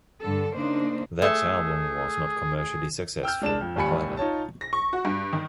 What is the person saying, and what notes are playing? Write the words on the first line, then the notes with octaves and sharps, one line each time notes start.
That album was not commercially successful, however.
G2 D3 A4
C#3 A#3 D4 D#4 C5
A3 G#4
G#4
G5 E6 F6 G6
G#3 D4 A5 E7
F2
G#1 D#2 G3 G#5 B5 C#7
D#4 F4 C#5 A5
A#6
C#6
F#4
G2
D#3